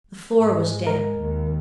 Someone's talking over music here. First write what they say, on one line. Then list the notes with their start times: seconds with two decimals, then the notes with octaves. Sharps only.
The floor was damp.
0.37 G#2 G#3
0.87 A#4
1.18 D#2